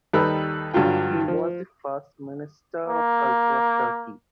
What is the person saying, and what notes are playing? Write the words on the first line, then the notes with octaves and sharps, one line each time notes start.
He was the first Minister of Culture of Turkey.
D#2 G3 D#4 A4 B4 B5
G2 D3 F#3 F4 G5
F3
A#3